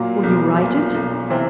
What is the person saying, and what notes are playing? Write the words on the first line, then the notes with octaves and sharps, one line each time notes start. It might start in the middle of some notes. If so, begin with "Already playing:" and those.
"Will you write it?"
Already playing: A#2 F#3 A#3
B1
A#2
B1
C3 E3 C4